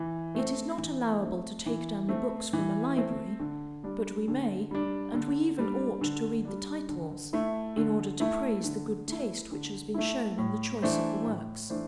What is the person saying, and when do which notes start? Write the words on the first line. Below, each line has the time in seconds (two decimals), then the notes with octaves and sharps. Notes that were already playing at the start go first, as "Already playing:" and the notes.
It is not allowable to take down the books from a library; but we may, and we even ought to read the titles, in order to praise the good taste which has been shown in the choice of the works.
Already playing: E3
0.35 A3 C4
0.78 E3
1.21 A3 C4
1.66 E3
2.09 A3 C4
2.53 E3
2.96 A3 C4
3.40 D3
3.84 G3 D4
4.28 D3
4.71 G3 D4
5.14 D3
5.59 G3 D4
6.01 D3
6.45 G3 D4
6.89 D3
7.33 A3 E4
7.77 D3
8.20 A3 E4
8.64 D3
9.08 A3 E4
9.51 D3
9.94 A3 E4
10.38 A2
10.82 E3 A3 D4 C5
11.25 A2
11.70 E3 A3 D4 C5